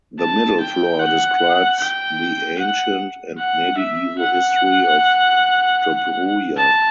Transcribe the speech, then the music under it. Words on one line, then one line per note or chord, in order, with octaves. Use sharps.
The middle floor describes the ancient and medieval history of Dobruja.
A5
G5
F#5
G5
F#5
F#5
E5
F#5
A5